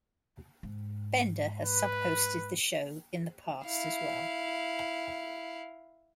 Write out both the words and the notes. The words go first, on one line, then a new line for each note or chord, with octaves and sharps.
Bender has sub-hosted the show in the past as well.
G#2
B4
E4 F5